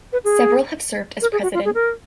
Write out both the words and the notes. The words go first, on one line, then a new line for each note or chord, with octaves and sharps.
Several have served as President.
B4
G#4
A#4
G#4
F#4
F4
G#4
A#4